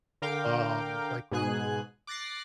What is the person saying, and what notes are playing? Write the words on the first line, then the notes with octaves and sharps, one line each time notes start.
um, like,
D3 A#4 F5 G5 D6
G#2 B2 G#4 G#5 F#6
D6 F#6 A6 A#6 C7